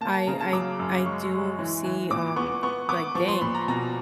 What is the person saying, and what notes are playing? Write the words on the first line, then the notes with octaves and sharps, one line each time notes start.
I I I do see, um, like dang,
A#3 A5
A5
C#3 A#5
A5
F#3 D6
F#2
G#3 C#6
G#3
E3
E3
A#2 D6
B3 C#6
B3 C#6
B3 D6
F3 C#6
C6
A#2 B5
A#5
B2 A#5